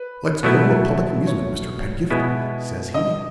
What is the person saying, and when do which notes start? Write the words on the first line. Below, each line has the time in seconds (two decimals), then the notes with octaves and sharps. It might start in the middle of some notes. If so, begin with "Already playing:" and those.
'Let's go to a public amusement, Mr. Pedgift,' says he.
Already playing: B4
0.43 B2 F#3 A3 E4
1.26 C#5
2.10 B2 G#3 B3 E4
2.94 D#5